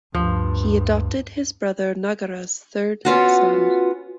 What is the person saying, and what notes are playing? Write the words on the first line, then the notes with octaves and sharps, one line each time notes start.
He adopted his brother Nagara's third son.
D2 G2 F3
B3 C#4 F4 F#4